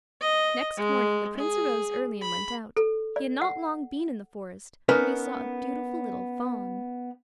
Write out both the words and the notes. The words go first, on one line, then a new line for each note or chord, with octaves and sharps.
Next morning the Prince arose early and went out; he had not long been in the forest when he saw a beautiful little Fawn.
D#5
G#3
G#4
B5
A4
D5
F#5
B3 C#4 D#4 A#4 B4